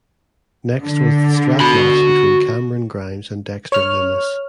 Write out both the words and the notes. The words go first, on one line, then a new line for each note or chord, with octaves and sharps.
Next was the strap match between Cameron Grimes and Dexter Lumis.
D3
F#4 B5
C#5 F6